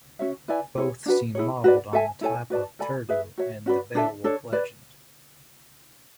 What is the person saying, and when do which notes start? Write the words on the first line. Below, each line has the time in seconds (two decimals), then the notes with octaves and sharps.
Both seem modeled on the type of Thyrdo of the Beowulf legend.
0.19 C#4 F#4 C#5 E5
0.48 E4 B4 D5 G#5
0.77 E4 G#4 C#5
1.06 D4 F#4 B4
1.35 E4 G#4 C#5
1.64 F#4 B4 D5
1.93 A4 E5 G#5
2.21 E4 A4 C#5 G#5
2.50 F#4 B4 D5 A5
2.79 A4 D5 G#5 B5
3.09 G#4 B4 E5
3.38 F#4 C#5 E5
3.66 C#4 F#4 B4 D5
3.95 D4 A4 E5
4.24 D4 A4 C#5
4.52 B4 D5